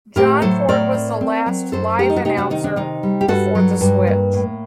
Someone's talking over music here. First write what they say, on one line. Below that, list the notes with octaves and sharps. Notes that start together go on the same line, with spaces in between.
John Ford was the last live announcer before the switch.
A2 G4 A#4
F#3 A4 C5
A2 A#4 D5
C4
C4
F#3
F#2 A4 C5
A3 G4 A#4
D#4
F#4
C3 D#4 G4
D4 F#4
D#3 D#4
D4
C3 D#4
G3
G4
G2 F#4 A4
F#3
G2
A#3
A2